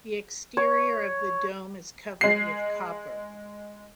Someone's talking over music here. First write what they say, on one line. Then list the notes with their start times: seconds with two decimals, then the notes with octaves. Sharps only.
The exterior of the dome is covered with copper.
0.57 C#5
2.21 G#3 C7